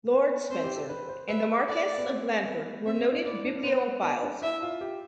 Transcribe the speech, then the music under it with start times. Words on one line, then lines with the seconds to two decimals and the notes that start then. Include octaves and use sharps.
Lord Spencer and the Marquess of Blandford were noted bibliophiles.
0.12 B3
0.50 C4 C5
0.64 G4
0.76 A4
0.89 B4
1.09 C5
1.28 B4 E5
1.67 A4 D5
1.98 B3
2.07 C4
2.46 B3
2.86 C4 E5
2.98 C4
3.12 D4
3.24 E4 D5
3.45 D4
3.63 B3 C5
4.02 B3 D5
4.23 D4
4.42 E4 E5
4.62 F4
4.81 G4